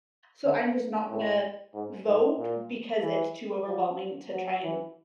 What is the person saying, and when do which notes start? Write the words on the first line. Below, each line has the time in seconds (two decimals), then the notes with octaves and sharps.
so I'm just not gonna vote because it's too overwhelming to try and
0.45 D3
1.09 A2
1.74 G#2
2.06 G#2
2.37 A#2
3.02 E3
3.67 F3
4.32 F#3
4.63 E3